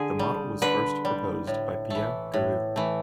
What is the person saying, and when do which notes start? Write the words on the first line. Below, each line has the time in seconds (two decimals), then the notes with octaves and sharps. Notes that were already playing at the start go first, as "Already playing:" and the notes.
The model was first proposed by Pierre Carreau.
Already playing: D3 G#4
0.19 G3
0.62 D3 B4
1.05 G3
1.47 A2
1.90 E3 A3
2.34 A2
2.76 E3 A3